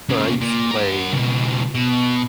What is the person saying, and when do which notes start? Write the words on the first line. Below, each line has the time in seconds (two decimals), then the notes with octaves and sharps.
I used to play,
0.09 A#2 C#3
0.41 A#2
0.71 A#4 F#5
1.12 C#2 B2
1.75 B2